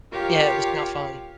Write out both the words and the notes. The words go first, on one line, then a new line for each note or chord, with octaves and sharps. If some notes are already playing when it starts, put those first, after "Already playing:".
Yeah, it was not fun.
F4 G4 A#4 C#5 F5